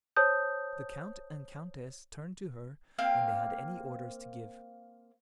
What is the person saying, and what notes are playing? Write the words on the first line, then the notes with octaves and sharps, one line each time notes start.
The count and countess turned to her when they had any orders to give.
C5 C#5 A5 D#6 G6
A#3 C4 F5